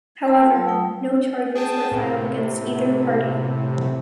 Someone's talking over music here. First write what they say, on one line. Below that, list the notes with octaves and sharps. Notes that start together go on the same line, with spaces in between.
However, no charges were filed against either party.
C5 A5 B5 C6
F4 A4 C6
F#3 A5 E6
A3 G5 D#6
G#4 G5 A5
A2 C3